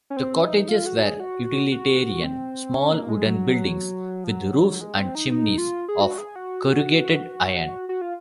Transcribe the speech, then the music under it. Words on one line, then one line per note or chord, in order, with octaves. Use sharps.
The cottages were utilitarian small wooden buildings with roofs and chimneys of corrugated iron.
C#4
C4
C#4
D#4
F4
F#4
G#4
F#4
F#4
C4
C#4
A#3
G#3
F#3
F3
F#3
G#3
C4
D#4
D#4
F4
G#4
F#4
G#4
F#4
F#4
F4